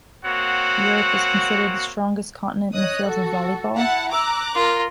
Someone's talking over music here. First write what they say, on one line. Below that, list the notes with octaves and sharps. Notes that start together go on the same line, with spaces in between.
Europe is considered the strongest continent in the field of volleyball.
A#3 C4 F#4 C#5 F#5
C#5 D#5 D#6 F#6
F#4 A4
E4 F#5 A5
A#5 D6 E6 F#6
F4 A#4